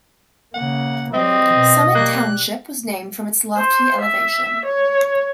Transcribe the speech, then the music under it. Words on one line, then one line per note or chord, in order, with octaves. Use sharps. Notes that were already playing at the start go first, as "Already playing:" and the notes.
Summit Township was named from its lofty elevation.
C#3 A#3 F#5
F#3 G3 C4 D#5
B2
G3 A#3 F#6
C5
E5
C#5